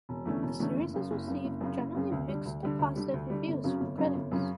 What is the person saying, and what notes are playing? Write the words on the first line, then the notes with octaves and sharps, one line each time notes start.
The series has received generally mixed to positive reviews from critics.
E1
E2 D3 A3 C#4
E1
E2 D3 A3 C#4
F#1
F#2 C#3
F#1
F#2 C#3
F#1
F#2 C#3
F#1
F#2 C#3
D2
D3 G3
D2
D3 G3
D2
D3 G3
D2
D3 G3
G1
F#2 C#3 F#3 C#4
G1
F#2 C#3 F#3 C#4
G1
F#2 C#3 F#3 C#4